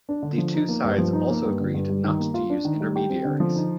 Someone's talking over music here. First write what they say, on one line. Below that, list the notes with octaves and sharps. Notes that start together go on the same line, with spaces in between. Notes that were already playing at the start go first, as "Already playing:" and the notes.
The two sides also agreed not to use intermediaries.
D4
D3
F3
D#4
A#3
G2
F3
D#4
A#3
G2
D3
G2
G3
D#3
A#3
F4
D4
D#3
G3
G4
C4
D3
F3
D#4